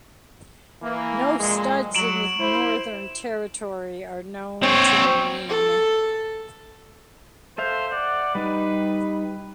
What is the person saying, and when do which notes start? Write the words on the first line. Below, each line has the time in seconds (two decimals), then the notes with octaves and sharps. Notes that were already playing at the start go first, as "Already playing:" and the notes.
No studs in the Northern Territory are known to remain.
0.82 E3 A#3
1.39 F2 A#2 G#3
1.95 F#3 D7 E7 F#7
2.38 E4 C5
4.63 C4 C#5
5.49 A4
7.58 A4 C5 E5 F5
7.92 D5 F#5
8.35 G3 D#4 B4